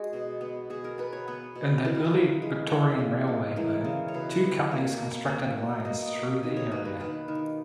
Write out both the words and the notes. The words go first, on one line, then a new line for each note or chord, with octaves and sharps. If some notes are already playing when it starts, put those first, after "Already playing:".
In the early Victorian railway boom two companies constructed lines through the area.
Already playing: G#3 F#4 G#4
B2
B3
B2 G#4
A#4
B3 B4
C#5
B3 B4
B2
E3 B4
A#4
B4
C#3
G#3
C#3
C#3
G#3
E3 A#4
C#3
C#5
B2 B4
B2
A#3 C#5
A#3
A#3
B2
A#3 D#5
B2
D#3 D#5
C#5
A#3 B4
B4
D#3 B4
D#3